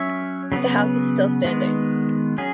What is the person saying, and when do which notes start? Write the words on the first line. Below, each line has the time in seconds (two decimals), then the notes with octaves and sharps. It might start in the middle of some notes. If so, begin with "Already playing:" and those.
The house is still standing.
Already playing: F#3 C#4 C#5 E5
0.52 C#3 F#3 B3
1.44 D#3 G#3 B3
2.38 F#3 C#4 G#4